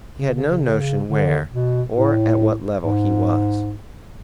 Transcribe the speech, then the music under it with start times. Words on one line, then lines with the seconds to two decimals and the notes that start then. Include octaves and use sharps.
He had no notion where or at what level he was.
0.21 C#3
0.35 C#3
0.51 C#3
0.64 C#3
0.72 D3
0.80 C#3
1.08 D3
1.52 B2
1.96 A2
2.83 G#2